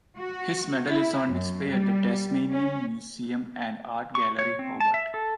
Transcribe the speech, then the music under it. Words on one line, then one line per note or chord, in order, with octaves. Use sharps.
His medal is on display at the Tasmanian Museum and Art Gallery, Hobart.
F#4
E4
F#2
G3
C#4
C#6
C#5
C4
A5
E5
A4